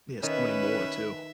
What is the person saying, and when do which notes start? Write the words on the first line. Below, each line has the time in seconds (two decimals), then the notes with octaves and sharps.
Yes, so many more too.
0.23 D#3 C#4 B4 E5